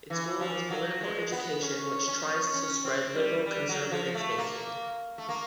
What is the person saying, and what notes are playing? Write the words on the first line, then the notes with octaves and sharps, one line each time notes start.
Its goal is political education which tries to spread liberal-conservative thinking.
E3
F3
F#3
G#3
B3
C#4
C#4
C#4
C4
G3
G3
F#3
F3
A3
A#3
A3
A#3